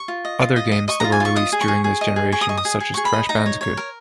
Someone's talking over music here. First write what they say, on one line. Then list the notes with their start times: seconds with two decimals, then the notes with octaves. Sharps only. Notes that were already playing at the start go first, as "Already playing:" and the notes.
Other games that were released during this generation such as Crash Bandicoot.
Already playing: C#6
0.08 F4
0.25 D#5
0.40 F4
0.56 D#5
0.72 D#5
0.88 D#5 C#6
1.00 F4 A#5
1.12 G#5
1.20 F4 C#6
1.36 D#5 D#6
1.52 G#4
1.61 C#6
1.68 G#4
1.84 G#4
2.01 D#5
2.16 G#4
2.32 G#4 C#6
2.41 D#6
2.49 D#5 C#6
2.57 D#6
2.65 G#4
2.80 G#4
2.94 G#4 C#6
3.05 B5
3.13 D#5
3.29 D#4 A#5
3.46 C#5
3.61 C#5
3.77 A#4